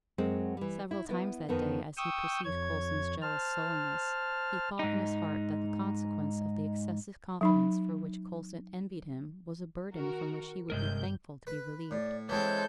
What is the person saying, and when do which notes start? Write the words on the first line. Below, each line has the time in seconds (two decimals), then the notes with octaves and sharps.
Several times that day, as he perceived Coulson's jealous sullenness, he thought in his heart that the consequence of the excessive confidence for which Coulson envied him was a burden from which he would be thankful to be relieved.
0.18 F#2 F#3 G#3 C4
0.57 E3 G3
0.91 E4
1.09 B3 E4
1.49 F2 D#3 B3
1.97 G5 C#6 D#6 E6 G6
2.45 F2 C#5 G#6
3.22 C5 A5 F6
4.79 G#2 D#4
7.41 F#3 D#4 B5
9.92 D#3 F#4 A#4
10.70 G1 C3 G#3 A#4 G6
11.47 B4
11.91 A2 D5
12.29 E3 G#3 C4 A4 C#5 G6